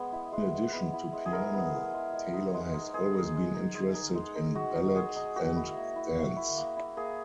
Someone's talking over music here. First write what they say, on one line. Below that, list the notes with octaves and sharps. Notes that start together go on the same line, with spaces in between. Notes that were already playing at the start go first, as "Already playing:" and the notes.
In addition to piano, Taylor has always been interested in ballet and dance.
Already playing: G#3 B3
E4
G#3
G#3
B3
E4
G#3
G#4
G#3 A#4
B3
E4
G#3
G#3
D#4
G#3
D#4
G#3 G#4
D#4
G#3
D#4
G#3
D#4
G#3
D#4
G#3 F#4
D#4
G#3 G#4
D#4
A#3 F#4
E4
A#3
E4
A#3
E4
A#3
E4
A#3 G#4